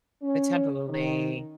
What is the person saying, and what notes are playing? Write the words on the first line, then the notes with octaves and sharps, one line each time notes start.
the tabbouleh,
C#4
D#3